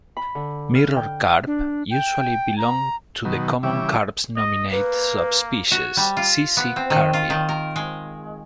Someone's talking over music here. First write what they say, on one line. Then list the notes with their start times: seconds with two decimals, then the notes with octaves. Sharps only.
Mirror carp usually belong to the common carp's nominate subspecies, "C. c. carpio".
0.17 B5
0.35 D3
0.75 F6
0.96 G5
1.47 D4
1.91 G5
2.58 A#5
3.25 B2 D#3 F#3
3.63 C#3 E3 G3 E5 D6
4.36 D#5
4.71 A#3 B4
5.71 F#4
5.97 G3
6.17 F4
6.57 B3
6.76 C4
6.90 D#3
7.13 F4
7.30 D#3
7.49 A#4
7.76 G#3